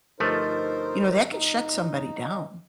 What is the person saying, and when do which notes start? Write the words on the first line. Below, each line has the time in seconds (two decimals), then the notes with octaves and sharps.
You know, that can shut somebody down.
0.20 G1 F3 A3 D#4 A#4 C5
1.30 D#4